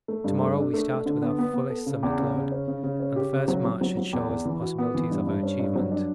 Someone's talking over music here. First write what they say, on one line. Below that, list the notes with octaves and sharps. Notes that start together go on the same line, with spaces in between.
To-morrow we start with our fullest summit load, and the first march should show us the possibilities of our achievement.
A3
G2
A3
D4
A3
A3
D3
B3
B3
B3
A4
C#3
E2
C#3
C#3
C#4
C#3
C#3
C#4
G4
C#3
F#3
F#3
F#3
F#3
E2
E2
E3
F#4
B3
E3
G2
G2
C#4
G2
F#3
D4